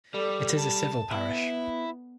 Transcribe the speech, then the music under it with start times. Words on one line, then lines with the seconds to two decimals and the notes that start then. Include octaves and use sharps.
It is a civil parish.
0.14 G3 A4 D5
0.56 A5
1.12 B3 E4